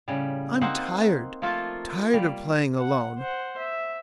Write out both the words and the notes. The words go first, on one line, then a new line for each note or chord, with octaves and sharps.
I'm tired--tired of playing alone.
A2 C#3 G3
A#3 C4 D#4 C5 F#5
F3 A3 A#3 F4 A4
G3 A#3
F#5
C5 F#5
E5